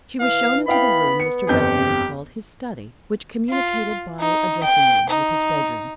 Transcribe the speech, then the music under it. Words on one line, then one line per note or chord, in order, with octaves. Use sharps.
She was shown into the room Mr. Redmain called his study, which communicated by a dressing-room with his bedroom.
E3 F5
B3 E4 F5 G5 B5
C#7
G1 F2 G4 G6
F4
D#4
G5
D#4